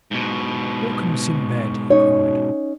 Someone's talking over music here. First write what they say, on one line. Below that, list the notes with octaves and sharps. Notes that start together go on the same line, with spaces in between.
"Welcome, Sindbad," he cried.
G#2 B2
C#4 D#4 C#5